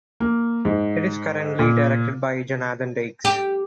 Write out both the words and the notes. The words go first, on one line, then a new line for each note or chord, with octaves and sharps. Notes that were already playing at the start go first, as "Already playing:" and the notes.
It is currently directed by Jonathan Dykes.
A#3
G#2
A#2
G4